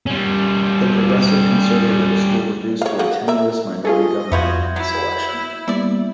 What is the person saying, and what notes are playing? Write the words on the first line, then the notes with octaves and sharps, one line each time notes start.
The Progressive Conservatives were reduced to a tenuous minority government in this election.
G3 C#4
C#5 F5
C#3 A#3 F#4
A#4 E5
C#4 F4 G#4 A4 D#5
F2 B3 F4 F#4 E5 G6 G#6
F#3 E4
G3 A#3 B3 E4 D5